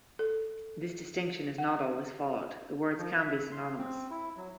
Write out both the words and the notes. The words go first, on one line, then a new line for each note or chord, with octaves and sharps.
This distinction is not always followed; the words can be synonymous.
A4
F#5
F3
E5
C6
C4
E4
F#3